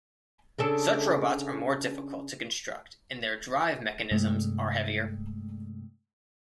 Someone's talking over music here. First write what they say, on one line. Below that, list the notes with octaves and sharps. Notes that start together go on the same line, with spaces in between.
Such robots are more difficult to construct and their drive mechanisms are heavier.
C#3 D4 A4
G2 C3 G#3 A3